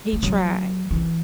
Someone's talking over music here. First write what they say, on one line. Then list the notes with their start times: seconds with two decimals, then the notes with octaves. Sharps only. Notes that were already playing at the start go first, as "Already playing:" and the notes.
He tried,
0.13 A3
0.23 F#3
0.91 E3